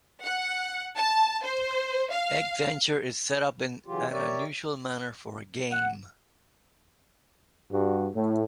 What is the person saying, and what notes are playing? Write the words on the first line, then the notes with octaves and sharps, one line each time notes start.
Egg Venture is set up in an unusual manner for a game.
F#5
A5
C5
F5
C#3 E3 F#3 F4 G4
G4 A#4 C#5 D5 E5
F#5
G2 G3 F#4
A2